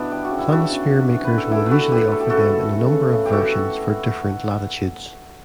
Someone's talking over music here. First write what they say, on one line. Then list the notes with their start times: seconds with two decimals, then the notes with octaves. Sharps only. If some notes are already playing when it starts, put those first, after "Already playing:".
Planisphere makers will usually offer them in a number of versions for different latitudes.
Already playing: B2 B3 D4 E4
0.10 G3 G4
0.24 F#4
0.31 C#3
0.39 E4
0.51 C#3 D4 F#4
0.71 C#3
0.91 G3
1.12 E3
1.24 B4
1.31 E3
1.38 A4
1.51 A3 E4 G4
1.66 B4
1.71 A3 F#4 A4
1.91 F#3 G4 B4
2.12 A3 A4
2.21 G4
2.30 C#3 F#4 A4
2.52 A3
2.72 A3
2.92 C#3
3.13 C#3
3.26 G4
3.32 E3 F#4 A4